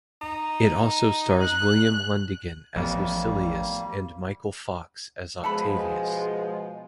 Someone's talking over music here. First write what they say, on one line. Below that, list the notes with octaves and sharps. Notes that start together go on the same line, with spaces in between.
It also stars William Lundigan as Lucilius and Michael Fox as Octavius.
D#4
F#6
A1 F3 G3 A#3 B3
B2 F3 G#3 A4 B4 B5